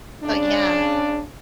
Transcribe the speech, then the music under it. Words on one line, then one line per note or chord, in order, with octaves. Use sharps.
So yeah.
C#3 D4